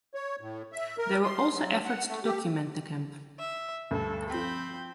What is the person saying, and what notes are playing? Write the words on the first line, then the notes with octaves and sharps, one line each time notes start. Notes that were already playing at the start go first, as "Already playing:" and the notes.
There were also efforts to document the camp.
C#5
A2
E5
A#4
C6
F#3
F#5
A3
G4
E5
D2 G2 A4
F3 C4 G5 B5 G6